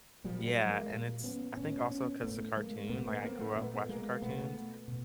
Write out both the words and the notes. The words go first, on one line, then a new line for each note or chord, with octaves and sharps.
Yeah, and it's I think also 'cause it's a cartoon, like, I grew up watching cartoons,
A#2 F3 G3
F#3 G#3
G#3 A#3
A#2
B3 C#4
A2 B3 C#4
B3 C#4
A2 A3 B3
G#3 A#3
A#2 A3 B3
A3 B3
A#3 C4
A3 B3
A#2 A3 B3
G#3 A#3
B2 A3 B3
B2